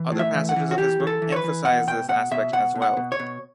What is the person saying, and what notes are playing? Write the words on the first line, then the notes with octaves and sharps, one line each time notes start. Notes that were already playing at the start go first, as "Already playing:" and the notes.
Other passages of his book emphasize this aspect as well.
Already playing: E3
A2
E5
E3
F#5
E3
F#4
E3 G4
E3
A4
E3
C#5
B4
E3
B2 F#5
B2 G5
B2 F#5
B2 E5
B2 F#5
B2
F#5
B2
C#5
B2